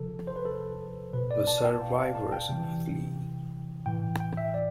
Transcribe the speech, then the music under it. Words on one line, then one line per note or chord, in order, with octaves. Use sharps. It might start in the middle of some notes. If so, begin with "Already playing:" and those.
The survivors flee.
Already playing: C3 F3 A4
C5
B4
A4
B2 B4
D5
A5
G5
F5
F5
A5
G5
C3 E3
A2 E3 G5
G5
E5
D5